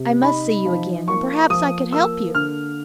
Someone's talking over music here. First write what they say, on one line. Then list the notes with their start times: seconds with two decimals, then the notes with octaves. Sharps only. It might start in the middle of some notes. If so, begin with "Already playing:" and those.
I must see you again; and perhaps I could help you.
Already playing: C3
0.22 D#4 B5
0.65 F3
1.08 A#3 C#6
1.50 F3 D#6
1.92 A#3 E6
2.35 D3 F6